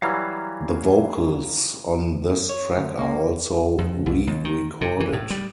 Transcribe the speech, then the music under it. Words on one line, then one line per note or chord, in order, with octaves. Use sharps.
The vocals on this track are also rerecorded.
E3 F#3 G3 F5 A#5 F6
C#5
D2
A#3
F2
C2
D#2
D#3
C3
E3
A2
G3